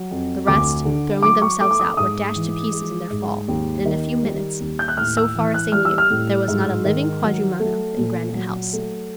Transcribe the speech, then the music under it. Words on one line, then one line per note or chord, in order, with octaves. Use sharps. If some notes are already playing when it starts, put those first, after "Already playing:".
The rest, throwing themselves out, were dashed to pieces in their fall, and in a few minutes, so far as they knew, there was not a living quadrumana in Granite House.
Already playing: F#3
F2
D2 D6
D3
F#3 D6
C#6
A3 D6
D6
D#6
G#2 D#6
E3
G#3
G#2
D#2
D#3
G3
D#2
G6
F#6
A2 F6
E6
E3
F#6
G3 F6
E6
F6
A2
G#2
D#3
F#3
A3
A#2
F#3
A3